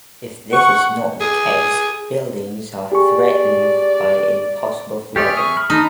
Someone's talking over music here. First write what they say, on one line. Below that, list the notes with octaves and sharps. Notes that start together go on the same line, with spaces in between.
If this is not the case, buildings are threatened by any possible flooding.
F#5 C#6
G#4
G4 G#4 D5 C#6
G4 G#4 C#5 D5 E5 F6 A6
C#6 D#6
B5 F6
D#4 D#5 A5 A#5 D#6